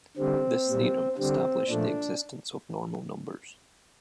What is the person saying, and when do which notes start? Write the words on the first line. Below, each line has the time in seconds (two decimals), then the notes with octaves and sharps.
This theorem established the existence of normal numbers.
0.17 D3 G3 C4
0.68 A#2 G3
1.18 D3 G3 C4
1.68 A#2 F3 A3 D4